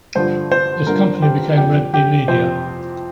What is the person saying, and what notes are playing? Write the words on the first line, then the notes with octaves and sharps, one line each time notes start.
This company became Red Bee Media.
G2 D3 F3 C5
C5
G2 D3 F3 A#4
G4
F2 C3 F3 G4
G4
F2 C3 F3 C5